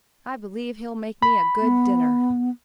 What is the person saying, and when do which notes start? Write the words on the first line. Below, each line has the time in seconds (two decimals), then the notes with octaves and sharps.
I believe he'll make me a good dinner.'
1.22 B5
1.62 B3